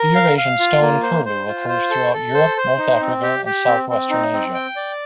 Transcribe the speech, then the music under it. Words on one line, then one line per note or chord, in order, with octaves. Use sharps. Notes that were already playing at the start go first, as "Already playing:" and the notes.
The Eurasian stone curlew occurs throughout Europe, north Africa and southwestern Asia.
Already playing: A#4
F5
F5
F4
A#3
C5
C5
F4
C5
A4
A4
C5
C5
D#4
C4
G4
G4
C4
C4
D#4
C4
G5
D5